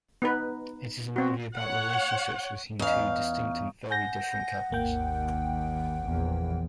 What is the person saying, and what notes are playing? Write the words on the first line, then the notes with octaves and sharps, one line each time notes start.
It is a movie about relationships between two distinct and very different couples.
B3 D#4 B4
C4 F#4
C#5 F#5
E2 C#4 D#4 F5
F#5 G#5 G6 A#6
G#1 D#2 A#3 G5
A#1 E2